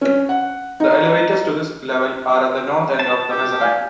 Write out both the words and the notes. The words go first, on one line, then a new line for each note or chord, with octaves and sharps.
The elevators to this level are at the north end of the mezzanine.
C#4
F#5
D#4
A5
G4
D5 F5 G#5